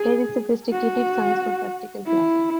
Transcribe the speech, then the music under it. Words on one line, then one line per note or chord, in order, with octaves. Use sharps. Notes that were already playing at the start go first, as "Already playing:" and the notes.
Here is sophisticated science for practical classes.
Already playing: G#4
F#4
E4